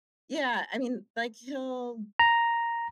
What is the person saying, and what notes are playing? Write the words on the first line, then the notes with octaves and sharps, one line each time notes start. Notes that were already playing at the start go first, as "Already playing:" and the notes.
Yeah, I mean, like, he'll
A#5